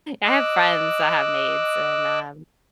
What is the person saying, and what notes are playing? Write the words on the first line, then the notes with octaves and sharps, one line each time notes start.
I have friends that have maids, and, um
D#5 D6 E6 F#6